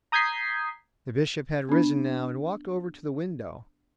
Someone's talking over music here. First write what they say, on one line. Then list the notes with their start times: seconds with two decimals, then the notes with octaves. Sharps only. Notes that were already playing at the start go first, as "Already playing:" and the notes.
The Bishop had risen now and walked over to the window.
0.12 A#5 D#6 G6 G#6 B6 C7
1.69 B3 D4